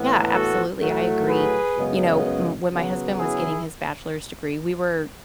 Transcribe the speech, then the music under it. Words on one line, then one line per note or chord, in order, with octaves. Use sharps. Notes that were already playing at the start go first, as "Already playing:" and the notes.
Yeah, absolutely, I agree. You know, m when my husband was getting his bachelor's degree, we were,
Already playing: A2 E3 B3
F#4 A4
A2 F#3 A3
G#4 B4
F#2 C#3 G#3 B3
C#3 F#3 B3
E4 G#4